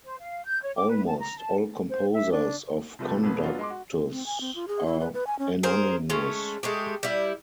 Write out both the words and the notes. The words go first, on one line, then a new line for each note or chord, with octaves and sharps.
Almost all composers of conductus are anonymous.
C5
F5
G6
C#5
D6
B4
A5
A#5
A5
C5
E5
D4
C3 F3 G3 A3 B4
E1 F2 B4
F#3 B3 D4 F4
G#3 C6 D6
F#4
C4
G#5
C4
F4
G#4
E4
B4
B4
G#5
C#4
G#4 A#4 C5
G#3 A3 C#4
G#3 A3 G4
G3 E4